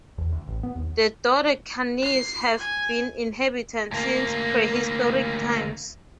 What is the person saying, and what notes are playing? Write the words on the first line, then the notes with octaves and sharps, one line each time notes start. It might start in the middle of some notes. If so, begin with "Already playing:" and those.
The Dodecanese have been inhabited since prehistoric times.
E2
D2
A1
B3
D#2
C7
G#5
D2 A#3